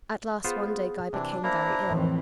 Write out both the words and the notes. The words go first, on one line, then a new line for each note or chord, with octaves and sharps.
At last one day Guy became very ill.
B3 F4 G#4 C5
C3 E3 D4
A#3 D4 E4 C5 A#5
F2 A2 E3 C4